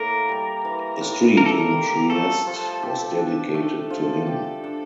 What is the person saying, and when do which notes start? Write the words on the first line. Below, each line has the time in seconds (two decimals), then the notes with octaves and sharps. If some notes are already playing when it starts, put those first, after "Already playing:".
A street in Trieste was dedicated to him.
Already playing: A2 A#3 A#4
0.29 G3
0.65 E3
1.01 A2
1.37 A#3 A#4
1.46 A4
1.54 A#4
1.73 G3
2.10 A3 A4
2.46 F3
2.83 G4
3.18 D4
3.54 A3
3.90 F3
4.27 G4
4.64 D4